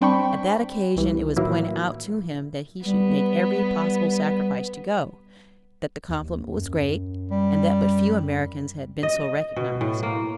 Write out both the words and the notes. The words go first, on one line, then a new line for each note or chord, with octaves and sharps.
At that occasion it was pointed out to him that he should make every possible sacrifice to go, that the compliment was great, and that but few Americans had been so recognized.
G2 C4 D4 G5 B5 C#6
C2 E3 G3
A2 D#3 E3 F#3 A#3 E4
G3 B3
D#2
F#2
G3
D#5
B2
A2
A#3